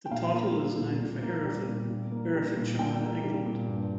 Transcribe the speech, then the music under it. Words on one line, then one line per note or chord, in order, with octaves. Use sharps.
The title is named for Hereford, Herefordshire, England.
G5
A#2 F5
A#3
G3
A#2
A#2
A#3
G3
A#2
A#2
A#3
G3
A#2
A#2 G5
A#3
G3
A#2
G2